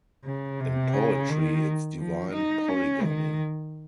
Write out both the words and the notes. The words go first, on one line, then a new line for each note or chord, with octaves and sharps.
In poetry it's divine polygamy.
C#3
C3
C#3
D#3
F3
D#4
C#4
D#3